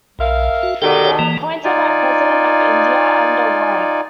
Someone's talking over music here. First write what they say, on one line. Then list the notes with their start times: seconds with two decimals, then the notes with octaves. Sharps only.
They are appointed by President of India under warrant.
0.19 B1 A#4 E5 F5
0.63 F#4
0.82 B2 D3 D#3 G4 A4 G5
1.19 E3 A#3
1.64 D#4 F4 D5 G#5